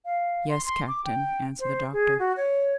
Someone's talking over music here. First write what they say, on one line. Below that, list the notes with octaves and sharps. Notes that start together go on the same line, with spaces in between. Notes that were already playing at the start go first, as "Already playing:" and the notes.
"Yes, captain," answered the doctor.
F5
C6
C6
D6
G5
C5
G#4
F#4
C#5